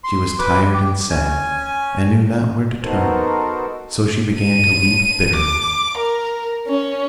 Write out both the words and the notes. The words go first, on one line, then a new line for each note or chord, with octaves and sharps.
She was tired and sad, and knew not where to turn, so she began to weep bitterly.
C6
B4 D6
G4
C#4 G#5
B3 D#4 F#4 A4 A#4 C5
D#7
D6
A#4
C#4